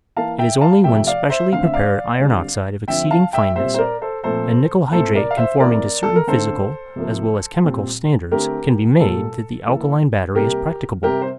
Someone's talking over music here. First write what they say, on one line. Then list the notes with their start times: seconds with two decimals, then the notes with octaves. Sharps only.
It is only when specially prepared iron oxide of exceeding fineness, and nickel hydrate conforming to certain physical, as well as chemical, standards can be made that the alkaline battery is practicable.
0.17 E3 A#3 F5 A5
0.38 E5 G5
0.61 F5 A5
0.84 C3 F3 A3 C4 E5 G5
1.07 D5 F5
1.30 C5 E5
1.52 D3 A3 C4 F5
1.63 E5
1.73 D5 F5
2.20 D3 G3 C4
2.88 D3 F3 C4 E5 G5
3.11 F5 A5
3.33 E5 G5
3.55 A#2 G3 C4 C5 E5
3.74 C5
3.78 A#4 D5
4.02 A4 C5
4.23 A#2 F3 A3 C4 A4 C5
4.92 A#2 A3 C4 A4 C5
5.15 A#4 D5
5.31 F5
5.37 C5 E5
5.60 E3 A3 C4 A#4 D5
6.03 A4
6.16 A#4
6.27 D3 A3 C4 A4 C5
6.96 C3 F3 A#3
7.64 A#2 G3 C4
8.31 D3 A3 C4 G4 A#4
9.00 A#2 G3 A#3 A4
9.67 E3 A#3
10.35 C3 G3 A#3 G4 A#4
11.03 C3 G3 C4 G4 A#4
11.22 C5